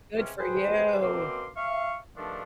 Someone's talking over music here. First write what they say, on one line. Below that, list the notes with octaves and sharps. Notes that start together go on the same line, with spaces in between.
Good for you.
C#2 C3 C#4
G4 G#4 B4 C5
F#2 B2 A#3 C4 C6 D6
E5 F5 C#6
G2 D#3 F3 A3 D4